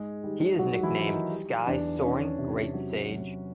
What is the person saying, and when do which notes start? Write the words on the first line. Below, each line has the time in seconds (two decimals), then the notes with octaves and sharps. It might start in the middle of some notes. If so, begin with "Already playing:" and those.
He is nicknamed "Sky Soaring Great Sage".
Already playing: G#2 G#3 G#4
0.24 D#3 G3 G4
0.59 F#3 G3 F#4
0.83 E3 E4
0.95 D#3
1.07 D#3 D#4
1.31 G3
1.67 E2 D4
2.02 D#3 C#4
2.38 C3
2.74 F#3
3.09 F#3